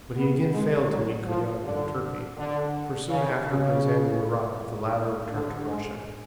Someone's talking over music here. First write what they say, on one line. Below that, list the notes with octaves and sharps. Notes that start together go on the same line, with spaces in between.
But he again failed to meet Kuragin in Turkey, for soon after Prince Andrew arrived, the latter returned to Russia.
B3
G#3
F#3
F3
D3
D3
C#3
C#3
D3
G#3